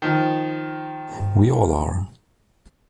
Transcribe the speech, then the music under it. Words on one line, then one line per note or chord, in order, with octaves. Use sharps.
We all are.
D#3 F3